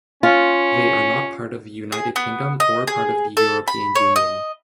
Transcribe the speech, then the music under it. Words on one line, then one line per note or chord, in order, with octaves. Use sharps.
They are not part of the United Kingdom or part of the European Union.
C#4 F4
G#4
B3
D#5
G#4
A4
B5
C#5
D#5